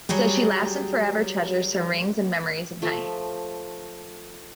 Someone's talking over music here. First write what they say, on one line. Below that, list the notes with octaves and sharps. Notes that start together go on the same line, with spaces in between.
So she laughs and forever treasures her rings and memories of Night.
F#3 G3 G4 G#4
F3 A3 E5